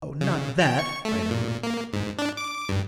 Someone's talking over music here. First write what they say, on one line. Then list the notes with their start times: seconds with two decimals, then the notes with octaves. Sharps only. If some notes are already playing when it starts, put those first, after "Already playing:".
'Oh, not that!' cried Emily.
0.21 C#3
0.61 G5
0.79 C#6
1.05 A3
1.31 A#2
1.63 A#3
1.93 G#2
2.19 D4
2.37 D6
2.69 G2